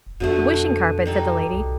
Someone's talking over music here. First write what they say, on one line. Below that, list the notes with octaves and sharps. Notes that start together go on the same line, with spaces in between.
'The wishing carpet?' said the lady.
E1
F2 B2 D3 A3
G3 D#4 A4
C2